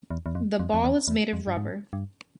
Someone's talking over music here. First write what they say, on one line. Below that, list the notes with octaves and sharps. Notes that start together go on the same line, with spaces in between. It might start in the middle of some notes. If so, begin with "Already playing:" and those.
The ball is made of rubber.
E2
E2
F2
F2
F2
E2
E2
F2
G2
G#2
G2